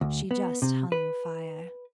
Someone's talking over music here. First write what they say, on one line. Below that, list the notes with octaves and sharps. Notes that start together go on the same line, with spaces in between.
She just hung fire.
D2
B3
C3
B4